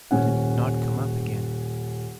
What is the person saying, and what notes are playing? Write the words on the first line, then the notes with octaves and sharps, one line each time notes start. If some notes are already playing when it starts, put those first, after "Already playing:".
But it did not come up again.
D#1 C#4 F#5